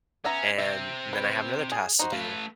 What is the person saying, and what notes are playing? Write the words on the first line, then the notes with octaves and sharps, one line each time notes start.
and then I have another task to do,
B3 C#4 E5 A#5
C3 C4 E5
B4
G#4
D#4 F#4 C5
A3 B4 F5